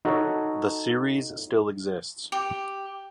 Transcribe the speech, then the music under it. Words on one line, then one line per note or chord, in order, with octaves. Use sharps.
The series still exists.
D#4 F#4 A4 C#5
G4